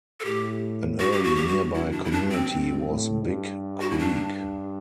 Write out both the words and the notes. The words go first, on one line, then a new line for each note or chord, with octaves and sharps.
An early nearby community was Big Creek.
A4
A2 G4
G2 F#4
G4
F#4
G4
F#4
F#2 E4
D4
E4
D4
C4
G2
A2
G2
F#4
E4
D4